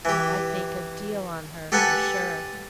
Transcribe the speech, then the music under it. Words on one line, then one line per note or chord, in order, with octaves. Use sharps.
I think a deal on her, for sure.
E3 G4
G4 A4 B4 F#5 G#5 A5